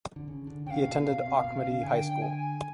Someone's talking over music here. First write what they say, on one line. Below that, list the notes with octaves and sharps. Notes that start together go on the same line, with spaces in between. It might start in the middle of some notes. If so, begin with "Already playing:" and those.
He attended Auchmuty High School.
D3
C#3
D3
C#3 F5 G5
B2
B2
C3
B2
C#3
D3 G#5
G5
G#5